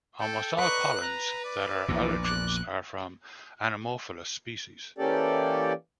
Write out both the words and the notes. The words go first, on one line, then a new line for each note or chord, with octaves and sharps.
Almost all pollens that are allergens are from anemophilous species.
A4 G5
B4 D5 D#5 A#5 C#6 F#6
B4 A#5 F#6
D5
A#1 E2 A#2 E3
D6 F#6
E3 A#3 C#4 G4 A4 D5